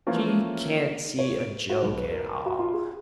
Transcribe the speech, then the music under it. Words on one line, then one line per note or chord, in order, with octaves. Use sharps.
She can't see a joke at all.
E3 F3 A3 A#3 C#4 F4
C#5
D7
F#4
B1
B4
A#4
F#4
F4
G#4